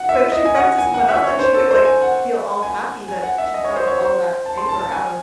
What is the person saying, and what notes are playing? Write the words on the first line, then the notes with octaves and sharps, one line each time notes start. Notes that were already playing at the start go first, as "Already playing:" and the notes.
But if she vent to someone else, then she could, like, g feel all happy that she's gotten all that anger out of
Already playing: F#5
E5
D#5
G#5
F#5
G#5
F#5
E5
C#5
C5
A4
C5
G#5
F#5
G#5
G#5
F#5
E5
D#5
C#5
C5
C#5
C5
A5
C6
A5
A5
G#5